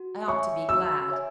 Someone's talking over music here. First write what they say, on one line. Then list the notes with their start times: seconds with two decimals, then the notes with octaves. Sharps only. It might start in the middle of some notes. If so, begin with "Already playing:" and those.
I ought to be glad.
Already playing: F#4
0.28 C#5 E5 G#5 C#6
0.69 F#4 E6
1.11 C#5 E5 G#5